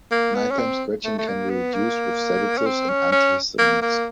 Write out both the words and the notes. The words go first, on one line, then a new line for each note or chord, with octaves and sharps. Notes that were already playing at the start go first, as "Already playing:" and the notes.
Nighttime scratching can be reduced with sedatives and antihistamines.
A#3
B3
C#4
C4
A3
A3
A#3
B3
A#3
C#4
C4
C#4
C#4
A#3
A#3